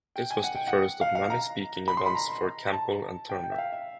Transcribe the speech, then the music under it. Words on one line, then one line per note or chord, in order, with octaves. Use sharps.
This was the first of many speaking events for Campbell and Turner.
G5
G#5
F#5
G5
F#5
F5
F5
A#5
B5
C6
B5
A#5
A5
G5
G5
E5
F5
E5